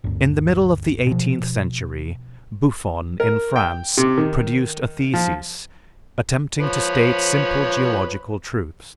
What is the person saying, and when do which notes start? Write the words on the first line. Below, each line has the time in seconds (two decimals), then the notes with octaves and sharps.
In the middle of the eighteenth century Buffon, in France, produced a thesis attempting to state simple geological truths.
0.04 G1 D2
1.07 B2 F3
3.20 A#4
3.56 G5
3.98 C3
4.18 D#3
5.14 F3
6.59 F3 B4 C#5